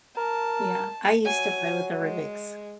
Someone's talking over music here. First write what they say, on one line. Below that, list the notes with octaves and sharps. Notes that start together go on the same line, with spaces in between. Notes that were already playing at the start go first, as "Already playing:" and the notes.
Yeah. I used to play with the Rubik's
A#4 A5
F#3 G#5
G#3